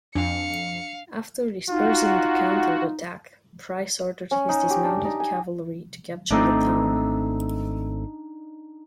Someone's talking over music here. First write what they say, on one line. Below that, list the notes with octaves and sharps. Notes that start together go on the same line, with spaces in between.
After dispersing the counterattack, Price ordered his dismounted cavalry to capture the town.
F2 D4 F5 C#7
D#4 F4 F#4
C#4
D#4
G4
D4
D#4
G#5
G#1 A3 C4 D4 D#4